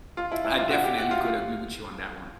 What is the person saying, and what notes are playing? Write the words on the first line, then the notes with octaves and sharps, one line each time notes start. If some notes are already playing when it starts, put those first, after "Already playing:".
I definitely could agree with you on that one.
F4
E4
E4
F4
F#4
G4
F#4
F4
F4